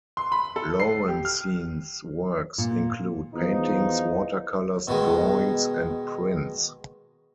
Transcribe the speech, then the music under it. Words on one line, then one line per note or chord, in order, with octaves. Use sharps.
Laurencin's works include paintings, watercolors, drawings, and prints.
C6
B5
A4
C7
G4
F6
A#2
E2 F3 D#4
B2 D#3 G#3